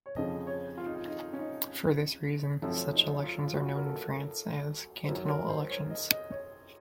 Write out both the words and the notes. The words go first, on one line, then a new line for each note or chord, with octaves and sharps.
For this reason, such elections are known in France as "cantonal elections".
C#5
F2 C#3 F3 D#5
C#5
F4
D#4
F4
D#4
C#4
D#4
F#2 F3 A3 C4
D#4
F4
F4
F#4
A#4
A4
C5
F#2 D#3 F#3 A#4
A#4
C5
C#5
D#5
D#5
C#5